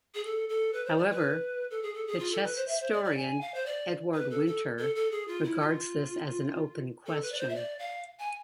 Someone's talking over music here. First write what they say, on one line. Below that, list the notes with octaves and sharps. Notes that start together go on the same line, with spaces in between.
However, the chess historian Edward Winter regards this as an open question.
G#4
A4
A4
B4
C5
D5
B4
A4
G#4
A4
G#4
F4
A4
B4
C5
E5
C5
D5
D5
G#5
F5
C5
D5
B4
A4
A4
A4
A4
G#4
F4
E4
F4
A4
B4
D5
C5
E5
D5
F5
G#5